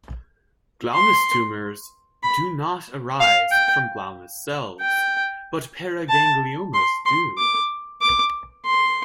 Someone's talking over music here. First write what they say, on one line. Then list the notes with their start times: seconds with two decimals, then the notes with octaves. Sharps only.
Glomus tumors do not arise from glomus cells, but paragangliomas do.
0.95 C6
2.23 B5
3.20 F5
3.51 G5
4.81 G5
6.09 A5
6.74 C6
7.06 C6
7.38 D6
8.01 D6
8.66 C6